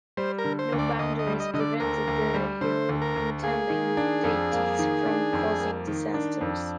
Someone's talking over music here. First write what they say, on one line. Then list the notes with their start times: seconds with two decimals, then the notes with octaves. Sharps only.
No boundaries prevented the ill-intending deities from causing disasters.
0.17 G3 C5
0.39 A#4
0.45 D3
0.59 C5
0.72 D2
0.79 D5
0.99 D2 D#5
1.19 D#5
1.27 G3
1.40 D#5
1.54 D3 D#5
1.60 D5
1.80 D2 A#4
2.07 D2
2.34 G3
2.61 D3 C5
2.89 D2
3.02 A#4
3.16 D2
3.42 A#3 G#4
3.70 D#3
3.97 D4
4.24 F2
4.52 A#3
4.79 D#3
5.06 D4
5.33 F2
5.60 A#3
5.87 D#3
6.14 D4
6.41 F2